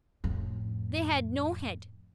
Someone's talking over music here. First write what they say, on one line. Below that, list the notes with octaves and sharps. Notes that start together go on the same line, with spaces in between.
They had no head.
F2 A2